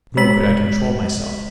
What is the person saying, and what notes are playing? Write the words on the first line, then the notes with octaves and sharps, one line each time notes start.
Nor could I control myself.
G#3 B6 F#7